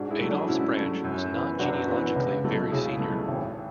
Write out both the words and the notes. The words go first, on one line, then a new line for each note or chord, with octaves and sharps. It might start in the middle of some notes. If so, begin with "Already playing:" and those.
Adolph's branch was not genealogically very senior.
Already playing: G#2 D4 F#4
E4 G#4
F#3 A3
D4 F#4
G#2 C#4 E4
F#3 A3
F#2
E3 B3
F#2 D4 F#4
E3 B3
C#2
B2 F#3 A3
C#2 E4 G#4
B2 F#3 A3
G#1